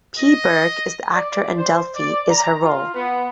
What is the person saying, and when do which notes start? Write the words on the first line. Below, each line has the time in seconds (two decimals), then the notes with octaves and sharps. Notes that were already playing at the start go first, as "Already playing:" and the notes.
P. Burke is the actor and Delphi is her role.
0.19 D#5
1.14 D5
1.56 C5
1.95 D5
2.30 A#5
2.63 F4
2.95 B3